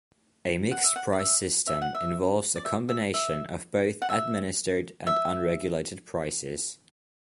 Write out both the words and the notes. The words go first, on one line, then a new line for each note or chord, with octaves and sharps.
A mixed price system involves a combination of both administered and unregulated prices.
F#5
E5
F#5
D5
E5
E5
F#5
E5
D5
E5
E5
E5
F#5
E5
E5